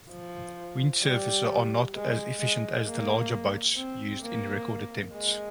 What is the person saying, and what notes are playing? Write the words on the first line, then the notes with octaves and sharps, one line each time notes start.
Windsurfers are not as efficient as the larger boats used in record attempts.
F3
G3
G#3
G#3
A#3
C4
A#3
G#3